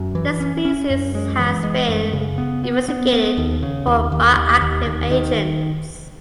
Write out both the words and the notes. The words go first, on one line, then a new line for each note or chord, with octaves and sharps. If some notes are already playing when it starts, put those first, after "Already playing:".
The species has been investigated for bioactive agents.
Already playing: F#2
E3
C#4
C#4
F#2
G#3
E3
G#3
F#2
C#3
B3
B3
B3
B3
D#2
C#3
D#2
D#2
D#2
D#2
D#2
D#3